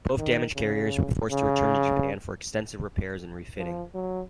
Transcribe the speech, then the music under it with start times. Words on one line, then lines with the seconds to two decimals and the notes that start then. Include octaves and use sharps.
Both damaged carriers were forced to return to Japan for extensive repairs and refitting.
0.19 D#3
0.56 C#3
1.31 C#3
3.57 F3
3.94 F#3